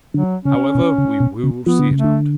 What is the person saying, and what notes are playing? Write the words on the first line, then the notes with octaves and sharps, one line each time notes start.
However, we will see it out.
D3 F#3
C#3 C#4
B2
C#3
B2
C#3
F3 B3
D3
C#3
A3
D3